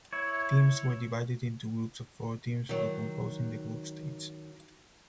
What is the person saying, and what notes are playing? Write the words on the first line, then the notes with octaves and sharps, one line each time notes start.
Teams were divided into groups of four teams for composing the group stage.
E4 C#5
D#3 F#3